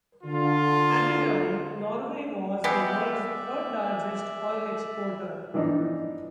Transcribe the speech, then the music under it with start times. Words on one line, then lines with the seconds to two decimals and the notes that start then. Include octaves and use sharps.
At the time Norway was the world's third largest oil exporter.
0.24 D3 F4
2.64 G#3 B3 G4 D5 E5
5.54 E3 F3 D4 D#4